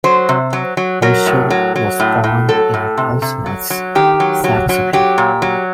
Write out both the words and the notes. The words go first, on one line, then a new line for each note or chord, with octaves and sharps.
Rietschel was born in Pulsnitz, Saxony.
F#3 C5
C3
F#3
F#3
F#3 A#4
A2
F#3
F#3
A2
A2
F#3 A4
A2
C3
C3
F#3
F#3
D#3 G4
F#3
F#3
F#3
F#3 G4
A#2
F#3